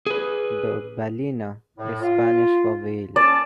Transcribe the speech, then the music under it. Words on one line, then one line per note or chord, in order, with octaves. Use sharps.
The "ballena" is Spanish for whale.
G#4 B4
A2
F4
C#4 D5 A5